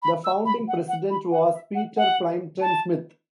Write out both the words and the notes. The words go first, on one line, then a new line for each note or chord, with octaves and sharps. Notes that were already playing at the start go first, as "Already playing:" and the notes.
The founding president was Peter Plympton Smith.
B5
E6
B5
F#5
F#5
B5
F#5
E5
F#5
F#5
A5